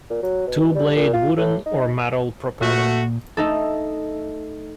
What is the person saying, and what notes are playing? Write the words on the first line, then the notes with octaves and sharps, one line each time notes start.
Two-blade wooden or metal propeller.
A#2
F#3
B2
G3
A#2
F4
A2
D#4
A#2 A3 F#4
A3 D#4 A4